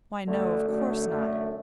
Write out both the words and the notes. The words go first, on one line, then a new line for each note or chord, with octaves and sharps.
'Why no, of course not.'
F#2 D3 A3
F#2 D3 A3
F#2 D3 A3